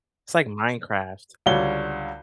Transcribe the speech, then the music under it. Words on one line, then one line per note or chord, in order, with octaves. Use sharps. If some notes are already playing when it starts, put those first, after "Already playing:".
it's like Minecraft.
C#2 D3 G3 F#4 C#5 G7